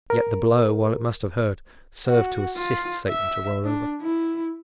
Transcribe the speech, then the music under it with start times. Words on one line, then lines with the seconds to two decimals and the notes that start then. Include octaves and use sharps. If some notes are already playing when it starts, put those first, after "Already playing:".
Yet, the blow while it must have hurt, served to assist Satan to roll over.
0.10 A#4
2.06 F#4
2.57 F4
3.09 E5
3.64 D4
4.01 E4